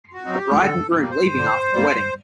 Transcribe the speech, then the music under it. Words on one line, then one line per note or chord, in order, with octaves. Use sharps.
A bride and groom leaving after the wedding.
F#4
F#3 C4 D#4
G4
D3 A4
G3 A#3
C5
D3
G3 A#3